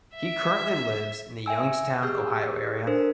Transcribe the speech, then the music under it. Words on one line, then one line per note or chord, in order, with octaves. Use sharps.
He currently lives in the Youngstown, Ohio area.
E5
E5 G5 G#5 E6
G4 G#4 E6 F6 G6
D4 A4 A#4 C5